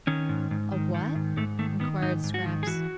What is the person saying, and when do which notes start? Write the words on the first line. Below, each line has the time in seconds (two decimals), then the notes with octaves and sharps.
"A what?" inquired Scraps.
0.07 D#3 C#4
0.29 G#2
0.51 G#2
0.72 D#3
0.94 D#3
1.15 G#2
1.37 G#2 A3
1.59 D#3 A3
1.80 D#3 B3
2.02 G#2 D#4
2.24 G#2
2.34 F#4
2.46 D#3
2.63 G#4
2.67 E3 F#4